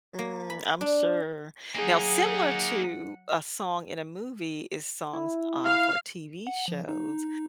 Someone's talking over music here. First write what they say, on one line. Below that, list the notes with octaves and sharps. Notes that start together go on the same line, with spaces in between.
Mm, I'm sure. Now similar to a song in a movie is songs, uh, for TV shows,
A#3
B5
D4
F#3 A#3 D#4 G#4 F#5
E4
F5
F#5
F3
D#4
D#4